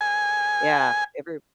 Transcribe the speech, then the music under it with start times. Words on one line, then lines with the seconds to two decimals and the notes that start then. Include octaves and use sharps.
yeah, every
0.01 G#5